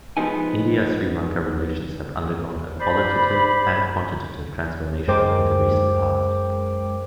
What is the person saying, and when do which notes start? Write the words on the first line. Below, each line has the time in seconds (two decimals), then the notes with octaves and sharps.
India-Sri Lanka relations have undergone a qualitative and quantitative transformation in the recent past.
0.17 F3 G#3 B3 D#4 G#5
2.80 C5 D5 B5
5.08 F#2 G#3 A#4 C5 G5 D6